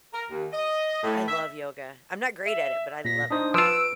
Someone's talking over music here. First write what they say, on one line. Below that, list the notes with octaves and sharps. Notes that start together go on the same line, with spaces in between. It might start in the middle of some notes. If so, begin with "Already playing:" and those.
I love yoga. I'm not great at it, but I love it.
A#4
D#2
D#5
A2
E5
E5
A#2 A#6 B6
D4 D#4 C5 D#6
F3 F4 B4 E6 D7